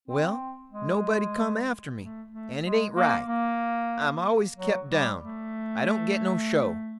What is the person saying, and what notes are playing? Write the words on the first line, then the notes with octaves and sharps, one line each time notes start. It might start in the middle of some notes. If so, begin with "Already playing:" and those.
"Well, nobody come after me, and it ain't right I'm always kept down; I don't get no show."
C4
G#3
A3
A3
G#3
A#3
A#3
F#3
G3
A3